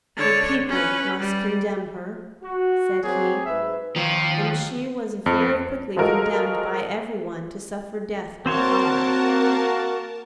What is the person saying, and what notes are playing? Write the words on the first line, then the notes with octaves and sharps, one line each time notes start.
"The people must condemn her," said he, and she was very quickly condemned by everyone to suffer death by fire.
D3 C#5
C#4 B4
G3
F#4
F#3 A#3 C4 G4 G#4
G#2 D#4 B4 E5
D#2 F3
F2
F3 G#3 F#4 A4 A#4 D#5
A#3 C4 F#4 A#4 C5 C#5 A5